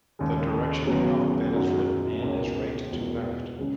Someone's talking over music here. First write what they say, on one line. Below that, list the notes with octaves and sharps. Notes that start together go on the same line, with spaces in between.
The direction the alphabet is written in is right to left.
D#2 C#3 G#3
D#2 C#3 F#3 B3
F#2 D#3 G#3 D#4 F#4
C#2 B2 A#3 C#4
E1 E2 B2 A#3
C#3 G#3 C#4